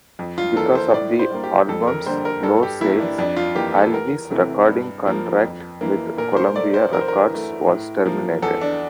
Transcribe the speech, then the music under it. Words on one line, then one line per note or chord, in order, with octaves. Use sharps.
Because of the album's low sales, Alvin's recording contract with Columbia Records was terminated.
F2
F4
E3 A#3 A4
C5
A2 D5
C5
G3 A#3
G4
F2 A4
A#4
D3 G3 A#3 C5
A#4
G2 A4
G4
E3 A#3 E4
D4
F2 D4
F4
E3 A#3 G4
A4
E2 A#4
C3 E3 A3
G2
F3 A#3
F2
E3 A#3
A#2 A#4
C5
A3 D5
C5
E2 A#4
C5
A#4
E3
A3
A2
F3 A#3
E2 A4
D4